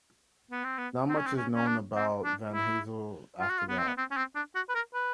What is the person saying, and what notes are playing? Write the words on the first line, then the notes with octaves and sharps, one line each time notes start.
Not much is known about Van Hasel after that.
B3
C4
B3
C4
C#4
C4
C#4
C#4
D4
C4
D4
E4
F4
F#4
F4
B3
C4
B3
C4
C#4
C4
D4
F#4
B4
A#4
B4